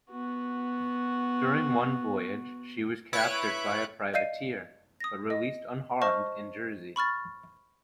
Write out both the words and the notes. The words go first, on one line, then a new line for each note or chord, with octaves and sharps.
During one voyage she was captured by a privateer, but released unharmed in Jersey.
B3 F#4
E4 B4 C#5 F#6 D7
D5 D#5 F5 G6 C7 D#7
D#6 A#6
D#5
C5 D#5 A5 C#6 F6
B5 C#6 F6 A6